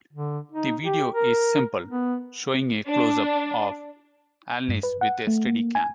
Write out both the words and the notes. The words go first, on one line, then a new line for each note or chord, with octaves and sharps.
The video is simple, showing a close-up of Alanis with a steady cam.
D3
D#4
G4
A#4
B3
D4
G2
B4
F#5
A3
A#3
G#5